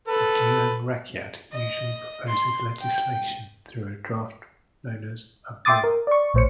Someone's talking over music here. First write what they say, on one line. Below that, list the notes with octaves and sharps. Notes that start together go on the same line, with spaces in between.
The "Dewan Rakyat" usually proposes legislation through a draft known as a 'bill'.
A4 B4
D#5
C6
G5
E5 G5 C6 D6 D#6 A6
A#4
D5 C#6
A#1 A2 C5 C#5 C#7